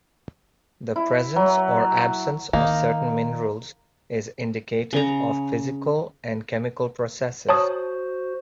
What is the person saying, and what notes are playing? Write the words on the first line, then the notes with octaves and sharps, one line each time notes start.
The presence or absence of certain minerals is indicative of physical and chemical processes.
E4
F#3
D#3 A#3 D#4
C#3 A#5
F#4 C5 C#5 A5 D#6